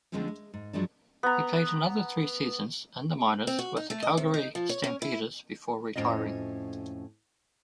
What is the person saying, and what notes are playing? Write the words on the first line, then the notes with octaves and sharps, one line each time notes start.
He played another three seasons in the minors with the Calgary Stampeders before retiring.
D3 F3 G#3 A3 C4 C#4
G#3
G#2
G2 F3 F#3 G#3 D4
B3 A#5
C4
F#4
D#4
A3
D#5
C3
D#4
F3
C#5
C#4
E4
F2 A2 F#3 C#4 F4 D#5